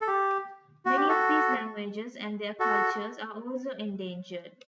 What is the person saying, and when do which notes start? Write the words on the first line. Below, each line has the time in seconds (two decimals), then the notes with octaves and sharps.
Many of these languages and their cultures are also endangered.
0.02 A4
0.07 G4
0.85 F#4
0.97 G4
1.09 F#4 A4
2.60 F#4 A4